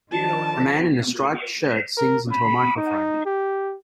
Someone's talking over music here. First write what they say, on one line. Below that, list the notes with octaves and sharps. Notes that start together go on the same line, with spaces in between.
A man in a striped shirt sings into a microphone.
D#3 F3 D4 A5
A#4
B5
D#4
G4